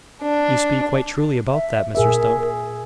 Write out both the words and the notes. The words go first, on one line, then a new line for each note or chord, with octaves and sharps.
You speak quite truly about that, Mr Stump.
D4
E5
A#2 G#4 A#4 E5